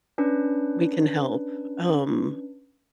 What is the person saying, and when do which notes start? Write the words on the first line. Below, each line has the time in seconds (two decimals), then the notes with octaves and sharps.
we can help, um
0.18 C#4 D4 B4